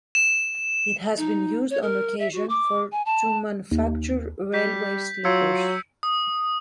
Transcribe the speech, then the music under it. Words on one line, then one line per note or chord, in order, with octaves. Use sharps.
It has been used on occasion for to manufacture railway sleepers.
E7
D#4
C#5
A#4
E5
F#4
D6
G#5
A5
D#2
G3 G6 B6
F#3 F4 E6 G#6 C#7
D#6